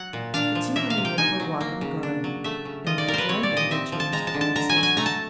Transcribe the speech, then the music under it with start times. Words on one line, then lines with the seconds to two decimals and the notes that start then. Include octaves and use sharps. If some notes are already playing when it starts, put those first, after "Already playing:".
The two women went for a walk in the garden, and when I joined them they changed the conversation.
Already playing: F#3 F#5
0.13 A#2
0.34 D4 F5
0.55 F3
0.76 A#3 E5
0.90 F5
0.98 C3
1.05 G5
1.18 D#4 G#5
1.40 F#3
1.61 A#3
1.81 C#3
2.03 D4
2.24 F#3
2.44 A3 E5
2.65 C#3
2.86 F4 D#5
2.98 D5
3.07 G3 A#4
3.14 B4 C5
3.29 C4 C#5
3.43 D5
3.51 A#2
3.57 D#5
3.71 C4 E5
3.92 F3
4.00 A5
4.12 G#3 A#5
4.27 A5
4.34 D3
4.41 A5
4.55 D3 A#5
4.69 G#5
4.76 F#3
4.83 G#5
4.97 A3 A#5
5.06 A5